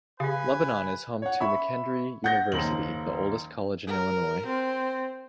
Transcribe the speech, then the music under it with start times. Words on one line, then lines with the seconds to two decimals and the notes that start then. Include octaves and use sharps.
Lebanon is home to McKendree University, the oldest college in Illinois.
0.20 C#3 G4 B4 F5 G#5
1.22 C#5 F#5
1.40 E5 B5 C#6
2.24 F#5 G6 A#6
2.52 F#1 D#2 F#7
3.87 A#4
4.47 C4